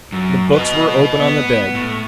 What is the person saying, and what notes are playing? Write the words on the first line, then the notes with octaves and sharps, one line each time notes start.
The books were open on the bed.
F#2
B4 D#5
B3
A2